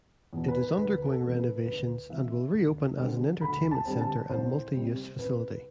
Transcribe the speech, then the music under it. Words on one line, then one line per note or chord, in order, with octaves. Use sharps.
It is undergoing renovations and will re-open as an entertainment center and multi-use facility.
E2 B2
B4
D2 B4
A4
C3
E3
B4
D2 B4
C3 E3 E5
D2
D3 G3 C4
D2 B5
A5
D3 G3 C4
A5
C2 C5
C3 G3 C4
C2 B4